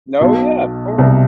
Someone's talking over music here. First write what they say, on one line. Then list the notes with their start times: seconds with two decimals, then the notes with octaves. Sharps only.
No, yeah, of course.
0.21 B1 B2
0.98 C2 C3